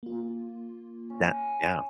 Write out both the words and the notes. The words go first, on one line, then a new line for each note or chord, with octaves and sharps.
That Yeah.
A#3 F4
C#4